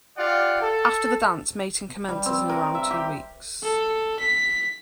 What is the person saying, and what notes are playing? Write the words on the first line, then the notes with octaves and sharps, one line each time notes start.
After the dance, mating commences in around two weeks.
F4 G4 D5 F#5
A4
G3
C4
A#4
E5
G4
A4
B6